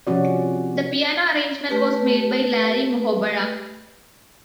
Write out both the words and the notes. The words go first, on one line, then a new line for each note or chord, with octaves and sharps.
The piano arrangement was made by Larry Muhoberac.
C3 F3 C#4 F#4 D5
A3 G4 B4